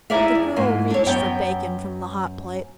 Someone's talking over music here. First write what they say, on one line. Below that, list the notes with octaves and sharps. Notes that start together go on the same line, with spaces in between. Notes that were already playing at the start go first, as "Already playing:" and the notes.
The girl reached for bacon from the hot plate.
D#4 E4 G#4 D5 E5 F5
F2
G#2 A#3 F4
D4 C#5
F#2 B3 C#5 G5